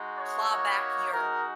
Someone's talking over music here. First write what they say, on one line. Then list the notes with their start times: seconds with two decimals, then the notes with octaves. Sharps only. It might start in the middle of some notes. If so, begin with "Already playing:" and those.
claw back your
Already playing: G#3 D#4 F#4
0.17 C#5
0.50 A#3 D#4 F#4
1.12 G#3 D#4 F#4 A#4